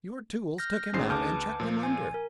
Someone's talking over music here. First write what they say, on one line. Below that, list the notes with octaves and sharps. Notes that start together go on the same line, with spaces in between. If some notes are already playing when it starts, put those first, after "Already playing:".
Your tools took him out and chucked him under.
F6 G6 A#6
G#1 C#4 D#4 G#4 C5 C7
D2 B4 A5 D6 F6 G6
A#2 F3
G#5
A#4